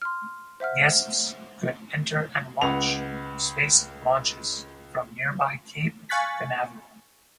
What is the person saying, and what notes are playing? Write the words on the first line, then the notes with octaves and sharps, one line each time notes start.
Guests could enter and watch space launches from nearby Cape Canaveral.
C6 F6
C5 E5 F#5 F6
C#2 B4 F#5 F7
F5 G#5 C#6 F#6 A6 B6